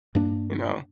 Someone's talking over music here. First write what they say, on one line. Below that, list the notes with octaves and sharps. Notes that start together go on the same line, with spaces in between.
you know.
G2 A#3 D4